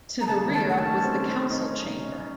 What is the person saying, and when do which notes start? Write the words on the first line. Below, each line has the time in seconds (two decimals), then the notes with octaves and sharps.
To the rear was the council chamber.
0.21 A#5
0.27 C#3 A5
0.47 D#3
0.54 A5
0.65 A3 F#5
0.79 A5
0.85 C#4
1.03 C4
1.30 C4
1.50 D#4
1.54 C#4
1.80 D#4
1.99 C#4
2.18 C#4